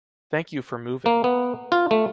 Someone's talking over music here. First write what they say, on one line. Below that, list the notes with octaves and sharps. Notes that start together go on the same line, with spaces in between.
Thank you for moving.
A#3
B3
F4
A3